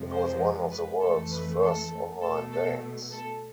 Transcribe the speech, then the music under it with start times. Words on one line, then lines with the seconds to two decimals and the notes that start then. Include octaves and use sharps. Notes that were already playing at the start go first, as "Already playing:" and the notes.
It was one of the world's first online banks.
Already playing: F2 C3 F3 G#3
0.11 C5
0.71 B4
1.01 F2 E3 A3 A4
1.31 B4
1.62 A4
2.21 B2 A3 A4
2.52 A4
3.11 A4